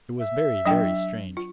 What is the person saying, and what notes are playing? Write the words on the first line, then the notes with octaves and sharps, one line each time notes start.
It was very, very strange.
E5
F#3 D4 G5
F4